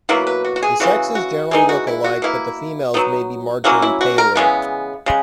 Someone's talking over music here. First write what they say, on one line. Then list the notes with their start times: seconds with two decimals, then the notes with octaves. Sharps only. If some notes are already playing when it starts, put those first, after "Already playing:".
The sexes generally look alike but the females may be marginally paler.
0.09 B2 F#3 A#3 E4 B4
0.27 B4
0.44 F#4
0.56 F#4
0.62 G#4
0.80 C#3 E3 G#3 F#4
1.15 F#4
1.51 E3 G#3 D#4 G#4
1.69 F#4
1.87 E4
2.04 F#4
2.22 B2 A#3 E4
2.94 F#3 B3 D#4
3.64 F#3 A#3 C#4 E4 F#4
3.82 E4
4.01 F#4
4.18 A#4
4.36 C#3 E3 G#3 B3
5.06 C#3 G#3